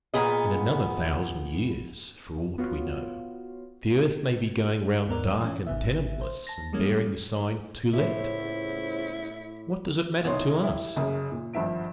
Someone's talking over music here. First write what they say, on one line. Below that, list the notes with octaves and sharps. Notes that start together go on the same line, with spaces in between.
In another thousand years, for aught we know, the earth may be going round dark and tenantless and bearing the sign "To Let." What does it matter to us?
A#2 B3 G#4 D#5
B3 F4 F#4 C#5 F5
D#2 G#2 B3 A#4 D5
E3 C#4
G#1 C#3 B3 E5
C5
A5 A#6
E3 G3 G#3 A#3 C#4
C#2 A2 E4 C5 C#5 E5
C2 B2 E3 D#4 C#5 C6
E4 G4
F#1 F#2 C#3
A#2
G#1 G2 F3 E5 D7